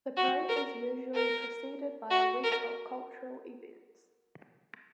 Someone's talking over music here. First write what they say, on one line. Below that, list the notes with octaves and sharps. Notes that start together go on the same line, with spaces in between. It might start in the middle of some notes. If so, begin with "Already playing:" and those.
The parade is usually preceded by a week of cultural events.
F#4
A#4
A#4
F#4
A#4